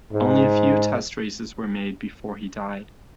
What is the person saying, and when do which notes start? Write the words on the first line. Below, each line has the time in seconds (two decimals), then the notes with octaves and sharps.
Only a few test races were made before he died.
0.13 G#2